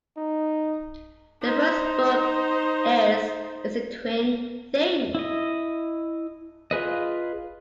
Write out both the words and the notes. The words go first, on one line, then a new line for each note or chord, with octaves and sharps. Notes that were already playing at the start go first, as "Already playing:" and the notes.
The first book is "It's a Twin Thing".
D#4
D#4 C5
E4 D#5
F4 G#4 B4 D#5